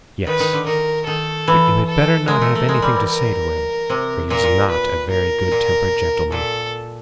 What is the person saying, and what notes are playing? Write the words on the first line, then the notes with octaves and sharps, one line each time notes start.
"Yes; but you had better not have anything to say to him, for he is not a very good-tempered gentleman."
D#3 B4
D#3
D3
D#3 A#4
D#3 A4
E3
A4
G#3 A#4
A3
A3
G#3
G3
E3
A#4
C3
A#2 A#4
A#2
B4
A#4
A#2
A#2 A4